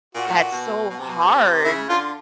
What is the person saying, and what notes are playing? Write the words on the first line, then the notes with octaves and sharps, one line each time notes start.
That's so hard.
A#2 F#4
A2
A#2
B2
B2
C3
B2
C3
C#3 E4
D3 F4